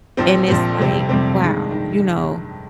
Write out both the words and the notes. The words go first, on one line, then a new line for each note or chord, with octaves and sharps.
and it's like, "Wow," you know,
A#1 A#2 F3 C4
A#1 A#2 F3 C4
F1 F2 C3 G3 C4
F1 F2 C3 G3 C4
G2 D#3 G#3
D#3